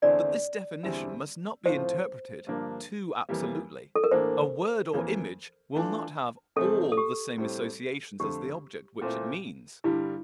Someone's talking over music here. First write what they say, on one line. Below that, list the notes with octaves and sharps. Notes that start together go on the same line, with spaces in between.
But this definition must not be interpreted too absolutely: a word or image will not have ALL the same associations as the object which it means.
E2 D3 A3 C4 E4 D5
E2 D3 G3 C4 E4
A2 F3 C4 F4 C5
G2 D3 F3 A#3 D4
F2 E3 G3 A#3
A4
A#4
A2 E3 A#3 D4 C5
F2 E3 A#3
E3 A3 D4 F4
E2 C3 F3 A3 C4 A4
A4
G4
A2 G3 C4
F2 D3 A3 G4
A#2 A3 C4 E4
G2 D3 G3 E4